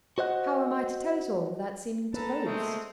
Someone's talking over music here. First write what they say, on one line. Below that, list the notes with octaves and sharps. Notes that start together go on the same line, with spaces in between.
How am I to tell it all without seeming to boast.
F#4 C5 D#5 F#5
A#3 A4 B4 A5 A#5
G#3 A3 C4